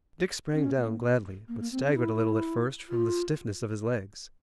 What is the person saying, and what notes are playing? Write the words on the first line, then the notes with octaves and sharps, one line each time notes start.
Dick sprang down gladly, but staggered a little at first from the stiffness of his legs.
C#4
A#3
A#3
A#3
C4
C#4
E4
F4